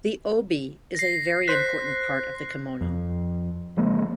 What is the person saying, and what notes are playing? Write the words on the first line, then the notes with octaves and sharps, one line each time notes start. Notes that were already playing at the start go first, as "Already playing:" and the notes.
The obi is a very important part of the kimono.
A#6 C7
C5 F#6 B6 C7
F2
C#3 F3 G#3 A#3